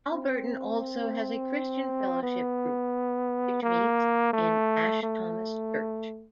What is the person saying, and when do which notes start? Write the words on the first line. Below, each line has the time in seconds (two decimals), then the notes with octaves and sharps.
Halberton also has a Christian Fellowship Group, which meets in Ash Thomas Church.
0.13 C4
2.23 B3
3.62 A#3
4.33 A3
5.03 A3